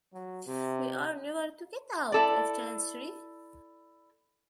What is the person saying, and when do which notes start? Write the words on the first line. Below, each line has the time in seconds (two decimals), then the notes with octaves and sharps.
We are never to get out of Chancery!
0.13 F#3
0.47 C3
2.12 E4 A4 D5